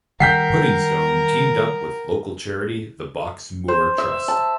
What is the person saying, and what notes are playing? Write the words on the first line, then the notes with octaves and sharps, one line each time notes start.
Puddingstone teamed up with local charity the Box Moor Trust.
D#3 G3 A#4 F#5 G5 G6 B6 C7
C5
E5
A5